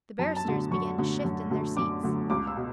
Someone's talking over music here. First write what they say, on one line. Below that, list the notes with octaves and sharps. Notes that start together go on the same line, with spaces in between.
The barristers began to shift in their seats.
F#2 A5
A5
D3 F#3 A3
F#2 C#6
D3 F#3 A3
F#2
D3 F#3 A3
F#2 D6
D3 F#3 A3
C#2 D6
E6
B2